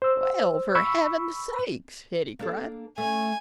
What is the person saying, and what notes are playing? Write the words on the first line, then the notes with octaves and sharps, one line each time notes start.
"Well, for heaven's sake," Hetty cried.
C5 E6
B5 C#6 E6
A#3 D4 A4
A3 C#4 G#5